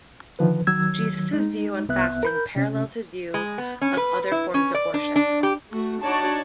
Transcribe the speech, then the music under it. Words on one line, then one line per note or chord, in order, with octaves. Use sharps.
Jesus' views on fasting parallels his views of other forms of worship.
D3 D#3 F3 B4
D#3 F#3 E6 G#6
G#3 D#4
C2 B3 E5 F#6
A#4 B5 G6
C3 C#4
G#3
B3
C#4
B4
E4
C#4
D5
D4
D4
G4
A3 F#4
D4 D#4 F#4 C#5 D5 A5